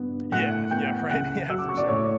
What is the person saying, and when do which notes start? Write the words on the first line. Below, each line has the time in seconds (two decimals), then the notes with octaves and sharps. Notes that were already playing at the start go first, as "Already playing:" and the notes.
Yeah, yeah, right, yeah, for sure,
Already playing: G2 B3
0.32 A2 F#5 F#6
0.71 B3 G5 G6
1.10 C#2 F#5 F#6
1.49 F#3 E6
1.58 D6
1.68 C#6
1.77 D5 D6
1.88 A2 C#5 C#6